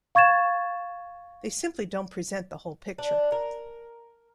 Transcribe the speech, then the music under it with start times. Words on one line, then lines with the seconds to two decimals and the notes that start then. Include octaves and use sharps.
They simply don't present the whole picture.
0.15 F5 C#6 G#6 A6 E7
2.98 D4
3.32 A#4